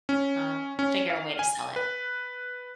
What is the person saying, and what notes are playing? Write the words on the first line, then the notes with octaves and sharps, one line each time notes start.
I'll figure a way to sell it
C#4
C#4
F5
G#5
B4